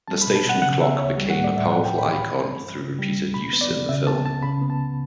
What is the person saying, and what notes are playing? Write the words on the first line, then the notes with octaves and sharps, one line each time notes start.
The station clock became a powerful icon through repeated use in the film.
G3 A5
B5
B2
A5
B2 F#5
C#3 F#5
B3 E5
D2 C#5
G3
F#5
A2
D5
A2 E5
B2 F#5
G5
C#2
B5
C#2 B5
E3
G2
G2
C#3
G3
C#2
B2 B5
B3
D5
E2
C#3 E5
B3 A5
C#2 A5
C#3 B5
B3
A5
C#2